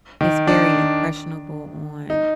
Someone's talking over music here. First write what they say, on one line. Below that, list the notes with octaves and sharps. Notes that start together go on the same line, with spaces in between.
It's very impressionable on
D#3
D4
D#4